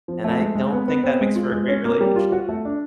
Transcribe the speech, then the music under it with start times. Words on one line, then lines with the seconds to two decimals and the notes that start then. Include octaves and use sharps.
and I don't think that makes for a great relationship.
0.08 F3
0.24 A3
0.39 G#3
0.55 G#3
0.73 B3
0.88 B3
1.04 C4
1.21 G#3
1.36 F4
1.52 G#3
1.68 C#4
1.85 A#3
2.01 G3
2.16 F4
2.32 F#4
2.49 A3
2.65 D4